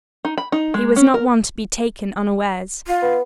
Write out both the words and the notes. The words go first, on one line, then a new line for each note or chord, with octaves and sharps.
He was not one to be taken unawares.
D#4
B5
D#4
G#3
C#4
A#4
F4
B3